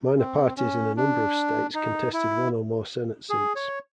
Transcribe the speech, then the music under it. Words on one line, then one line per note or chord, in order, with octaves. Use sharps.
Minor parties in a number of states contested one or more Senate seats.
C4
C#4
D4
D#4
E4
G#4
C#5